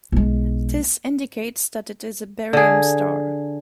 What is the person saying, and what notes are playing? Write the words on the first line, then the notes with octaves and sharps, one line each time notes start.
This indicates that it is a Barium star.
B1 G#3
D3 G#4